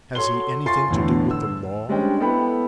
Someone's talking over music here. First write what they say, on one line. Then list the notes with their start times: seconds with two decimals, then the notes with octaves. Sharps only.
Has he anything to do with the law?'
0.15 F#4 A4 C#5 C6 G7
0.66 F4 G#5 C6 C#6 A6 C7
0.91 E2 A2 D3
1.31 E6
1.89 G3 G#3 C#4 D4 C5 G5
2.20 B3 E4 A4 G5 B5